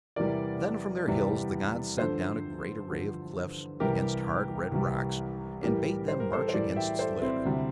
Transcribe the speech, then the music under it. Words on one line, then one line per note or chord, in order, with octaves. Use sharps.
Then from Their hills the gods sent down a great array of cliffs against hard, red rocks, and bade them march against Slid.
E2 C3 E3 G3 A#4 D5
E2 C3 E3 G3
G2 D3 F3 A4 C5
G2 D3 F3
C2 C3 E3 G3 G4 A#4
C2 C3 E3 G3
A2 E3 G3 G4 A#4
C5
A#4
A4 C5
C5
A2 E3 G3 A#4 D5
E5 G5
A4 C5
C4 E4
D2 C3 G3